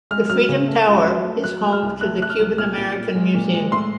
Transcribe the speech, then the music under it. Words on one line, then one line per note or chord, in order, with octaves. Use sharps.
The Freedom Tower is home to the Cuban American Museum.
G#3 F6
F#3 F6
C#3
A3
C#2
F#3
A3
F#3 F#6
A3
F6
C2
A3 F#6
A3 F#6
F6
C2
A#2 F6
A#2
A#2
G#3
A#2
G#3
A2 C6